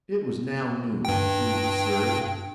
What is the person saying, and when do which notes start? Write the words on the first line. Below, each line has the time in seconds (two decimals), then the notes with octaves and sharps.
It was now noon, and food was served.
1.05 G2 G5